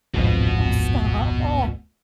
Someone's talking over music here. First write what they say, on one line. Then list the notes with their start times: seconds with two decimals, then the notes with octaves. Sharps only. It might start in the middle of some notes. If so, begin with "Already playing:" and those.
Oh, stop. Oh
0.14 D1 G#1 F2 B2 F#4